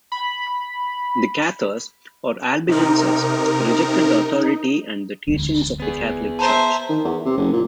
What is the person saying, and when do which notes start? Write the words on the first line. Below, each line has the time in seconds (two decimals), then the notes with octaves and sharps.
The Cathars or Albigenses rejected the authority and the teachings of the Catholic Church.
0.12 B5
2.69 C3 D#4 A#4
5.28 E1 D2
5.80 B3 G#4
6.39 C5 E5 A5 A#5
6.89 D#3
7.05 E2
7.25 C3
7.37 F#1
7.53 A#2